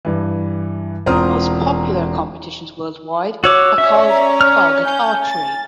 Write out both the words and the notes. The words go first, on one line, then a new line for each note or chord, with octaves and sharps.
The most popular competitions worldwide are called target archery.
G2 E3
E1 C4 F4 A#5 D#6 F6
F#4 C#5 D6 E6
C#4 C#5 D5 E5
A#5
F6
C#4 G#5 G6
A6